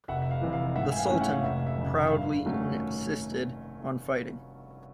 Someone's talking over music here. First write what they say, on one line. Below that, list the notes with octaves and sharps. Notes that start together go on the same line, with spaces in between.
The Sultan proudly insisted on fighting.
F1 E5 F#5
E5
F5
F2 C3 E3
F5
G#2 E5 F#5
G#5
F5 G5
E3 A3 C#4 F5
E5 F#5
F5
F1 E5 F#5
E5
F2 C#3
E5
G2 F5
D#3 F#3 A3 C#4